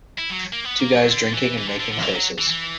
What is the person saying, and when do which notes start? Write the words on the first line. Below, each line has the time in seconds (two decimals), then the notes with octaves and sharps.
Two guys drinking and making faces.
0.18 E4
0.30 F#3
0.53 A#3
0.65 B3
0.80 A#3
0.95 F#3
1.11 D3
1.34 E3
1.57 E3
1.68 D3
1.79 D3
1.92 D3
2.02 E3
2.14 F#3
2.38 E3
2.50 E3